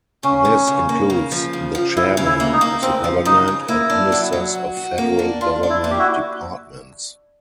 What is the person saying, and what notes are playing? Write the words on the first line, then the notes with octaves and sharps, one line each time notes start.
This includes the chairman of the government and ministers of federal government departments.
C#3 C#4
C#3
C#3
A#3
C#3
F3
C#3
F3
C#3 E4
C#3
E4
A#3
D#4
A#3
C#3 C4
F3
C#3 D#4
C#3
A#3 E4
D4
F#3
F#3
F#4
F#4
A#3
D4
D4 F4
D4
E4
A#3
G4
E4 F#4